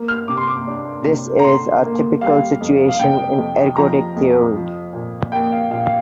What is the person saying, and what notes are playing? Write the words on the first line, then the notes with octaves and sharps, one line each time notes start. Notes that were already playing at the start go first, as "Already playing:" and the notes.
This is a typical situation in ergodic theory.
Already playing: A#3
F6
C3 D6
C6
D6
D4
C3
A#5
D3 C6
A#3
G3 F5
F2
F5
C3 G5
F2
F3 A#5
F2
F3
A#2
A#3 G5
F5
A#2 F5
F5